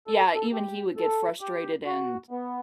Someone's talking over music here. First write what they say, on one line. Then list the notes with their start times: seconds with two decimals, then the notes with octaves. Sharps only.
yeah, even he would get frustrated and
0.07 A4
0.35 A4
0.52 G4
0.97 A4
1.41 G4
1.86 F#4
2.31 B3